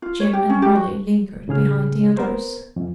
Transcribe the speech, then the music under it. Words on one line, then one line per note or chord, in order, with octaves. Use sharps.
Jim and Wally lingered behind the others.
F4
C#5
G4
C#4
G4
F#4
A2 C#3 G#4 F6
B3 A#4 C5
F2